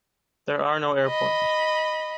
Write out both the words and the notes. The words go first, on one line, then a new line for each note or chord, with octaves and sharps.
There are no airports.
D#5 B5